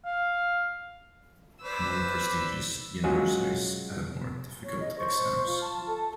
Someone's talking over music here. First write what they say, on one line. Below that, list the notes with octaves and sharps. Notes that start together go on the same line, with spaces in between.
More prestigious universities have more difficult exams.
F5
B4 C5 D5 E6
F#3 G#3 C#4 F4 F#4 G#4
C#5
D#5
C5 C#6
F4
A5
A4